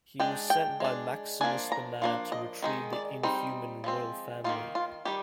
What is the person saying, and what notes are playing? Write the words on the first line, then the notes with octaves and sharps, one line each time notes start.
He was sent by Maximus the Mad to retrieve the Inhuman Royal Family.
G#3 D4 G5
G5
G#3 D4
F3 A#3 D4 G#5
A#5
F3 A#3 D4
D#5
D#3 G#3 D#4
D5
G3 C4 D#4 C5
F3 G#3 C4
D#3 A#3 D#4 F4
F4
D#3 G3 G4